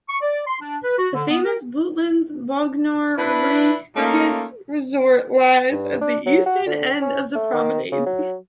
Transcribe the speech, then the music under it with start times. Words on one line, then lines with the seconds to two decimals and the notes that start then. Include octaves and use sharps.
The famous Butlins Bognor Regis resort lies at the eastern end of the promenade.
0.09 C#6
0.22 D5
0.47 C6
0.61 D4
0.84 B4
0.99 F#4
1.15 D3
1.30 B3
1.45 A#4
3.17 D4 E4 B4
3.95 A3 A#3 C#4 D#4 F4
5.72 G2
6.01 D4
6.26 F#3
6.46 F#4
6.66 D3
7.02 C#4
7.35 A3
7.54 D#3
7.92 C#3
8.06 F#3